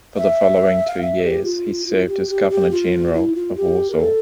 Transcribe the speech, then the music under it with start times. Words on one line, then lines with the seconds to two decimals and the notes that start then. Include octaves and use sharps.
For the following two years he served as Governor-general of Warsaw.
0.17 E5
0.87 F5
1.01 E5
1.23 G4
1.44 F4
1.86 F4
2.07 G4
2.28 G4
2.50 G4
2.71 F4
3.14 E4
3.34 F4
3.56 G4
3.90 A#4
3.99 A4